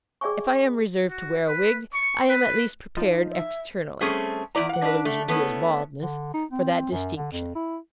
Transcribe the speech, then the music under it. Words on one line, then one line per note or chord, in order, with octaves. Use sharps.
If I am reserved to wear a wig, I am at least prepared, externally,' in allusion to his baldness, 'for that distinction.
G#4 D5 E5 G5 G#5 C#6
F#4
B4
C#6
B4
F3 D#4 F4
E5
G3 A3 C4 C#4 G#4
E2 G#2 E4 D5 A#5
F5 F#5
D4 A#4 B4
A3
A3 B3 C#4 E4
D3
D#4
C4
F#2
D3
F2
E4